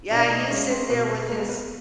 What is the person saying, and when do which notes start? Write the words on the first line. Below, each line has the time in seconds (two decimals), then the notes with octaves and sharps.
yeah, he's sit there with his
0.10 B2 D4 D5
0.30 D#4 D#5
0.50 G#3 C#4 C#5
0.69 C4 C5
0.89 B2 B3 B4
1.09 B3 B4
1.29 G#3 A#3 A#4
1.49 B3 B4